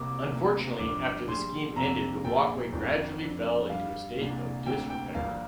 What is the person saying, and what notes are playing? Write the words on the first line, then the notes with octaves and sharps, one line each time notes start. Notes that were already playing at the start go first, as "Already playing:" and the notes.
Unfortunately, after the scheme ended the walkway gradually fell into a state of disrepair.
Already playing: C2 C3 A#3 D6
D2 C3 A#3 D4
G1 G2 F3 D4 D6
A#1 A#2 G3 D4 C6
F2 C3 A#3 D4 A#5
A#1 A#2 A#3 G5
G1 F2 F3 D4
F2 F3 D4
G2 G3 D4 F5
C2 A#2 A#3 D4
D2 C3 A#3 D4 G5
G5
G1 G2 F3 A#3 D4 F5